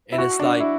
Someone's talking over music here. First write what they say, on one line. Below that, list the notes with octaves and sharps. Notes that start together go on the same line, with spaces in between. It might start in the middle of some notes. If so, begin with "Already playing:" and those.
And it's like,
E4
F#4
D4
E4